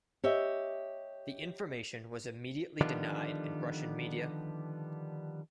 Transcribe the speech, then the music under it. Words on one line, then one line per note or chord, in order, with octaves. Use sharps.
The information was immediately denied in Russian media.
G4 C#5 D#5 E5
D3 D#3 F3 G3 B3 D4